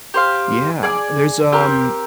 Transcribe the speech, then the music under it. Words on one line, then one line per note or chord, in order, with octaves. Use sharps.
Yeah, there's, um,
G4 C5 F5
G#4 D5 F5 G#5
C4 G4 A#4